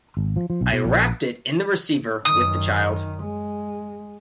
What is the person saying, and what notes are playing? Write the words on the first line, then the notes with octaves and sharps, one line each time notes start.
I wrapped it in the receiver with the child.
G#1
F3
F3
B1
B2
A#1
F#2 D#3 D#6
G#3